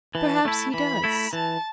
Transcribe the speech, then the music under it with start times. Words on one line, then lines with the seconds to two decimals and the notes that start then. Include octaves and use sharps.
Perhaps he does.
0.15 E3 A5
0.45 A3 E4
0.74 E3 B5
1.04 A3 E4
1.33 E3 A5